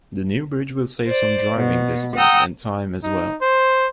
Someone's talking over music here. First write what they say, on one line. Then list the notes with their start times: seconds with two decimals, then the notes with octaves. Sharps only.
The new bridge will save some driving distance and time as well.
1.07 C5 D5
1.57 B2
2.16 F#5 G5 A#5 D#6 E6 G6
3.03 D#4
3.41 C5